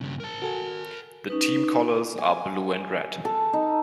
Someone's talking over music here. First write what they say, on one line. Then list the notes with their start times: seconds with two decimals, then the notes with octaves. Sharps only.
The team colors are blue and red.
0.01 G2 C#3
0.20 A#4 A5
0.42 F#4 A4 G#5
1.28 C#4 D#4 B4
2.18 G#5
3.25 A4
3.53 D#4